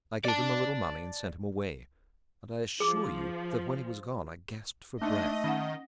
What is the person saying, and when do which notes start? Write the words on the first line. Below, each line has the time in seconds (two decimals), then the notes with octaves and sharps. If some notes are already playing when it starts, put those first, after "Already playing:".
I gave him a little money and sent him away, and I assure you that when he was gone I gasped for breath.
0.25 D5 A5
2.80 F3 G#4 D6
5.02 A3 A#3 D4 D#4 D#5
5.44 D#3 C#4 F#5